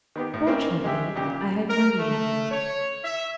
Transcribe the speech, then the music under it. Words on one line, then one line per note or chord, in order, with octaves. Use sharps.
Fortunately I had money with me.
D#3 B3 G4
A2
A#3 C4 C#4
G#3 G4 E5
A#2 C#3 G4
A#4
A3
C#5
E5